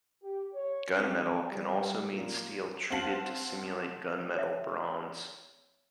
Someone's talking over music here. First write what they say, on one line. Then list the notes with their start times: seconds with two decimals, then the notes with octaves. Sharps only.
Gunmetal can also mean steel treated to simulate gunmetal bronze.
0.23 G4
0.53 C#5
0.98 C4
1.49 G3
2.09 A#2
2.90 C4 F5 F#5 A5 F#7
4.36 C#5 E5